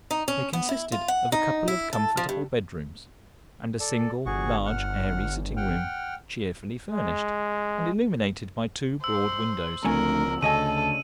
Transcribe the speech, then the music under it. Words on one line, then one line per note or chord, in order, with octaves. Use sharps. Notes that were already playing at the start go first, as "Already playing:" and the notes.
They consisted of a couple of comfortable bed-rooms and a single large airy sitting-room, cheerfully furnished, and illuminated by two broad windows.
D#4
C#4
B3
E4
F4
F#5
D#4
E4
A4
F3
G2
A4 D5
G1 F#4 G#4 C#6
F#5 F6
F#5 G5 F6
G#3
C5 E6
C#2 D3 F3 A3 C4 A#4 G#5
D2 C#3 A4 D#5 G#5 D#7